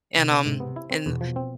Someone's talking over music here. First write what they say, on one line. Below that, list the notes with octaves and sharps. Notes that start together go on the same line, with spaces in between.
and, um, and,
C3 E4
B3
G#2 C3
B3
E4
C4
E2 B2
F3
C4